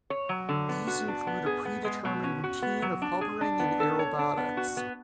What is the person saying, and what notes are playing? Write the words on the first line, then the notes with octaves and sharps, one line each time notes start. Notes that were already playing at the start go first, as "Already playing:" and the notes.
These include a predetermined routine of hovering and aerobatics.
C#5
F#3
D3
B3
F#4
D4
B3
G#4
B3
G#3
B2
C#4
F#4
B3
F#3
D4
G#4
D4
B3
A4
C#5
D4
B3
F#4
B3